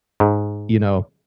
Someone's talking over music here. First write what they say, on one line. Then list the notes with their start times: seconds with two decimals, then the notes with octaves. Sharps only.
you know,
0.20 G#2